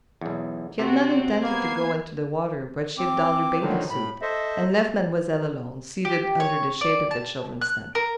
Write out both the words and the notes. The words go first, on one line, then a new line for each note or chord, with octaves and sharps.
She had not intended to go into the water; but she donned her bathing suit, and left Mademoiselle alone, seated under the shade of the children's tent.
B1 E2
C3 C4 F#4
A#3 B3 G#6 C7
C4 D6
D3 D#3 F3 F#3
A2 B5
A4 C5 D#5 E5
G4
C#5
D5
A5
F#6
A#4